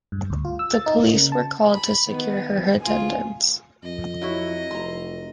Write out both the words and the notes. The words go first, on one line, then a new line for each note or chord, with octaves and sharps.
The police were called to secure her attendance.
G2
D2
F4
E6
A6
D#4
A#3
C#3
A5
B5
D#3 B3
D2 F4 G#4
F2 D#5
F#3 E4 F#4
F1 A#5 C6